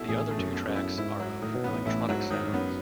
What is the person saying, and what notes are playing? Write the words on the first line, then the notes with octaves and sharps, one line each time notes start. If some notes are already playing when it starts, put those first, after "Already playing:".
The other two tracks are of electronic sounds.
Already playing: B2 A3 E4
A1 A2 G#4
A3
F#2
B2
F#2
E4
G#2 E4
F#3
A2 D#3
B2
A1 A2 B3
A1 A2 E4
G#2 F#3
G#2 D#3
G#2
F#2 B3